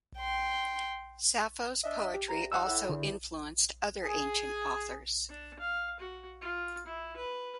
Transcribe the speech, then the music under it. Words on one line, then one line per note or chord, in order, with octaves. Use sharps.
Sappho's poetry also influenced other ancient authors.
G5 C6
D4 D#5 E5
G4
D2 A#5
F3 G3 D#4 F#5 E6
A2
E2 D3
G#4
D4
F5
F#4
F4
E4
B4